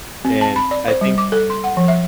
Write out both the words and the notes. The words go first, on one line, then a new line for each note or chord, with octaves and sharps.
and I think
C4
A5
B5
D5
C5
G3
D6
A4
C6
F#5
F3
E5